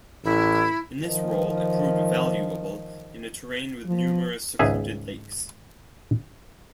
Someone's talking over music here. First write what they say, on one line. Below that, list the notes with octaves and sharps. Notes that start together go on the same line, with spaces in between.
In this role, it proved valuable in a terrain with numerous secluded lakes.
A1 E4
D#3 F3
F3
G#1 C#2 G#4 E5